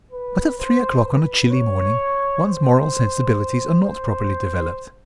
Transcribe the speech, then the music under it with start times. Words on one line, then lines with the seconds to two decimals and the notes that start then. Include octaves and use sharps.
But at three o'clock on a chilly morning one's moral sensibilities are not properly developed.
0.11 B4
0.58 C5
1.05 B4
1.50 C#5
2.44 C5
3.83 C5